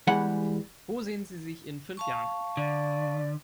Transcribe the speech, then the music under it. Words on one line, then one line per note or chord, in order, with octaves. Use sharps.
Wo sehen Sie sich in fünf Jahren?
E2 E3 G3 G#3 F#5 B5
F5 A5 C#6
D3 D5